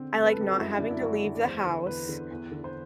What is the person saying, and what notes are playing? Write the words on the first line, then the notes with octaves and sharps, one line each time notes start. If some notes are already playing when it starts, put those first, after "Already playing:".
I like not having to leave the house,
Already playing: D3 C4
G2
B4
A4
D3 G4
F#4
F#2 E4
D3 D4
E4
F#2 F#4
D3
D5
E2 C5
D3
E2 B4
D3
E2
D3
C5